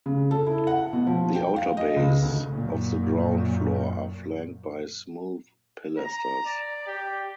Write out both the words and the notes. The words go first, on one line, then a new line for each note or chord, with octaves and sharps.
The outer bays of the ground floor are flanked by smooth pilasters.
C#3
A4
E4
F#5
B2
F3
G5
F5
D#5
C#2
D2
F#2 A#2
A#5
D5
G4